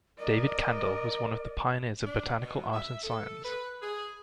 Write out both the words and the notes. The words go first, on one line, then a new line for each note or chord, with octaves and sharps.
David Kandel was one of the pioneers of botanical art and science.
A#4 D5 D#5
D4
B2
E5
A4
B4
G#4